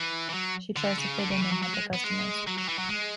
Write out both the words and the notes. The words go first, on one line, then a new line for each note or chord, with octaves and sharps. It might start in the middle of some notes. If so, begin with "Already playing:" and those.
She tries to fit in and help her customers.
Already playing: E3
E3
F#3
D3
C#3
D3
C#3
E3
F#3
F#3
G#3
B3
G#3
F#3
F#3
E3
F#3
G#3